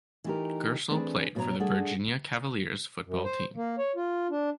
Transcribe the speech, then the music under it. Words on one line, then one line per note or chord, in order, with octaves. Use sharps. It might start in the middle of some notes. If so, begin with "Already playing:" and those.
Gerstle played for the Virginia Cavaliers football team.
E3 A3 D#4 G4 A#4
E3 A3 C4 D4 G#4 B4
F#2 B2 D4 A4 C#5 A#5
G3 A3 D4 G#4 A4 F#5
F#2
C5
A#3
C#5
F4
D4